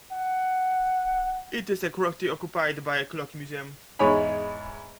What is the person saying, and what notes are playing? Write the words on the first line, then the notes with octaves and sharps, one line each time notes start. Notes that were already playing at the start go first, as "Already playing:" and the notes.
It is currently occupied by a Clock Museum.
F#5
E2 G#2 G#3 C#5 G#5 B5